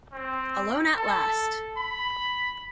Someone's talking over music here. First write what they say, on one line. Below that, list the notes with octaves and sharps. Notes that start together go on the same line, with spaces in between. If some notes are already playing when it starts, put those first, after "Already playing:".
Alone at last!
C4
A4
B5